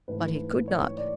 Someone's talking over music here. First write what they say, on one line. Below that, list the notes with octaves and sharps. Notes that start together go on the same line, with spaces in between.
But he could not.
G#2 E3 A3 B4
C#5
D5